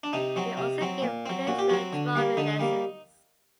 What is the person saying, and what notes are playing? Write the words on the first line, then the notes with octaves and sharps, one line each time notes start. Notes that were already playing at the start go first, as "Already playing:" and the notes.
He also gave occasional drawing lessons.
D4
C3 D#4
F#3 C4
C3
F#3 C4
A#2
F#3 C4
A#2 F#4
G4
F#3 C4 F#4
D3
G3 A#3
D3 D#4
G3 A#3